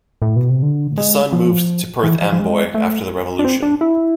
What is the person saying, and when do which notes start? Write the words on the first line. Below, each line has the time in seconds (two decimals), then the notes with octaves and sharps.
The son moved to Perth Amboy after the Revolution.
0.22 A2
0.36 B2
0.49 C3
0.63 D3
0.98 G#3
1.33 F3
2.03 E3
2.22 F3
2.32 F3
2.40 G#3
2.74 A3
3.39 D4
3.44 C4
3.62 D4
3.81 E4